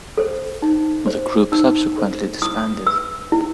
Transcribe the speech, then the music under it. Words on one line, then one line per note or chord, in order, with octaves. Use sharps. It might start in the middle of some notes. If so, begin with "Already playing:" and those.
The group subsequently disbanded.
A4 C5
D#4
A4 C5
D#4 E6
A4 C5
E4 D#6
B4 E6
E4